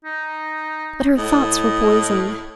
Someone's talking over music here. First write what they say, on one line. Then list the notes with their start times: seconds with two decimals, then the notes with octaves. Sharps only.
But her thoughts were poisoned.
0.05 D#4
1.18 A2 D#5